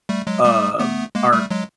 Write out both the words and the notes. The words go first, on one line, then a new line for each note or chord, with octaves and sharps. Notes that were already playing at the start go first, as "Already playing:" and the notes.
um, our
G3 A3
F#3 G#3
G3 A3
A3 B3
G#3 A#3
G3 A3
F#3 G#3